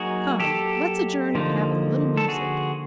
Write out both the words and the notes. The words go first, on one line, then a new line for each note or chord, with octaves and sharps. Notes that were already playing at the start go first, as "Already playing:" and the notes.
"Come, let's adjourn and have a little music."
Already playing: F#3 A#3 D#4 F#4 G#4
G4 A4
D3 F3 A#3 D#4
A4
F#4 G#4